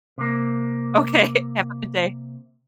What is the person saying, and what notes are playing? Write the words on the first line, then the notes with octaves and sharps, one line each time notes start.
Okay. Have a good day.
C3 A#3